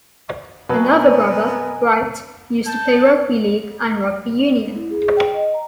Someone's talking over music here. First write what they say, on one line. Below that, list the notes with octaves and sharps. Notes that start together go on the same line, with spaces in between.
Another brother, Bright, used to play rugby league and rugby union.
B2 F#3 B3 A#4 B4 D#5 G#5
A5 G6
E4
G#4
G#4
G5
D#5
A#5